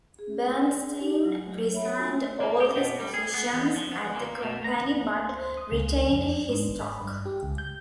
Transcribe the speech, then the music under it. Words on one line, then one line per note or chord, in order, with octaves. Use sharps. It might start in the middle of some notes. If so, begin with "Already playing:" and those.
Bernstein resigned all his positions at the company but retained his stock.
G#4
D#4 G4
F#3
C#5 E5 B5
A3 A#3 D4 F4 F#4 G#5
A#3
G4
B2
G3
G#4
B3
E2
F3
B3
A#3
B2
A#5
C5
D#6
C#2
F2
D4
G#2
G#1
B5
G2
G4
C#2
G6